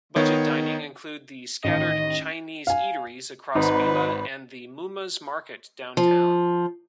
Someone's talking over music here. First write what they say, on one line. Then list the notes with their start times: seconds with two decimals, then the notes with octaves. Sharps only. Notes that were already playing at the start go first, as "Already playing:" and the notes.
Budget dining include the scattered Chinese eateries across Vila and the Mummas Market downtown.
0.16 D#3 B3 C#5
1.64 A1 D#3 D#5
2.67 F5 G#5
3.55 G#1 D#4 B4
5.97 F3